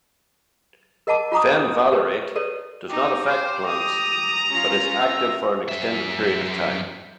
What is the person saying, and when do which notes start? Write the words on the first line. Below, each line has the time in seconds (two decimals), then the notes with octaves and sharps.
Fenvalerate does not affect plants, but is active for an extended period of time.
1.07 A#4 D#5 F#5 A5 D6
1.32 F4 F#5 A#5 D6 D#6
1.91 G4 A#4 B4 C#5
2.36 A4 B4 C#5 D5
2.89 D#4 G4
3.28 C5
3.68 A#5 D#6
4.51 C#4 F4
5.00 E5
5.69 F#2 E5